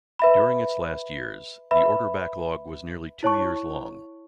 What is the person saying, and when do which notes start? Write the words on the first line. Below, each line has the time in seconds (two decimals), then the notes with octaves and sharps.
During its last years, the order backlog was nearly two years long.
0.19 B4 E5 B5
1.71 B4 E5 B5
3.23 E4 C#5 A5 C#6